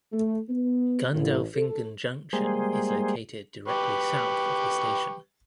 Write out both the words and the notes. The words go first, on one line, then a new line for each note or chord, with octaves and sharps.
Gundelfingen junction is located directly south of the station.
A3
B3
A1
A4
G3 G#3 A#3 G#4 C5
G4 B4 C#6